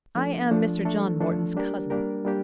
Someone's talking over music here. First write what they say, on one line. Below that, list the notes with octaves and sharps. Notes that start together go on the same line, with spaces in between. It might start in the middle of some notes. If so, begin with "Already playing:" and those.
"I am Mr. John Morton's cousin."
F3 A3 D4 A4
F3 A3 D4 A4
F3 A3 D4 A4
F3 A3 D4 A4
G3 A#3 D4 G4 A#4
G3 A#3 D4 G4 A#4
G3 A#3 D4 G4